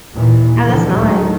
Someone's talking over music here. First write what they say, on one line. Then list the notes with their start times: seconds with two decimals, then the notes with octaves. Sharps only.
No, that's nice.
0.14 D#2 A#2 D#3 E3
0.63 C#2 A2 D3 E3 F3
0.95 D2 A2 D#3 F#3 G#3 A3